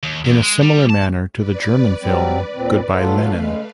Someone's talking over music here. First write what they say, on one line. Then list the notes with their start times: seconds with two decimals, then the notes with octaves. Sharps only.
In a similar manner to the German film Good Bye Lenin!
0.03 D#2
0.25 E2
0.43 G#3
0.62 G3
0.90 A5
1.33 B4 D5
2.02 F#3 G3 C4
2.55 D#2 A#2 C4
2.95 F#3 A3 F4 A4 B4 F5
3.40 C#3 G#3